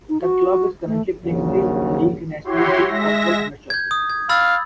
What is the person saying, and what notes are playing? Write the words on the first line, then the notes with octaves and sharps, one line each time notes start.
The club is currently playing the Ligue Nationale du Football Amateur.
D#4
F#4
A3
A#1 D#2 A#2 C#3 F#3
E4 F#4 G4 C#5 C6
G#3 E5 A#6
G6 G#6
D#6
G#6
F5 B5 E6 A6